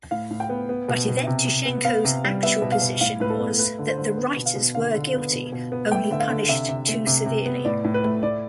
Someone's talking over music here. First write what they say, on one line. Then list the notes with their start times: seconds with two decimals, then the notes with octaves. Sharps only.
But Yevtushenko's actual position was that the writers were guilty, only punished too severely.
0.11 A2 F5
0.30 A2
0.40 G5
0.50 B3
0.69 B3
0.88 B2
1.08 B2
1.27 C3
1.46 C3
1.65 B3
1.85 B3 F5
2.04 C3
2.24 G3
2.43 B3 E5
2.62 B2
2.72 F5
2.81 B2
3.01 A2 F5
3.20 A2 B4
3.30 A4
3.40 B3
3.59 A3 B4
3.79 D3
3.88 C5
3.98 D3
4.18 B3
4.36 B2
4.46 F5
4.55 B2
4.75 D3 F5
4.94 D3
5.14 B3
5.33 B2
5.52 B2
5.72 B3
5.91 A3 G5
6.11 D3 E5
6.20 F5
6.29 D3
6.49 C3 E5
6.68 C3
6.88 A3
7.07 C3
7.26 C3
7.46 B3
7.65 A2 D5
7.84 A2
7.94 B4
8.04 A3
8.23 A2 D5